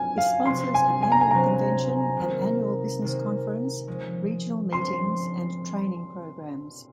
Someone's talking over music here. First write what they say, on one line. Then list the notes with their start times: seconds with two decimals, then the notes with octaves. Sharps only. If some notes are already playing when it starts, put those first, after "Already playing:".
It sponsors an annual convention, an annual business conference, regional meetings, and training programs.
Already playing: F#3 C#4 F4 G#5
0.18 F5
0.46 C3 F#3 C4 C6
0.74 G#5
1.03 G#5
1.12 A#5
1.21 G#5
1.31 C3 F#3 C4 A#5
2.17 C3 D#3 A#3
3.02 C3 D#3 A#3
3.87 C#3 F3 G#3
4.73 C#3 F3 G#3 C6